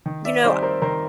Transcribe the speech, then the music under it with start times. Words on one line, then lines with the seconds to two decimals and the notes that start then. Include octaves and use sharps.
you know, I
0.06 D#3
0.25 D5 E5
0.44 G3 C4 D#4 C5 D5
0.63 A#4 C5
0.82 D#3 A#4 C5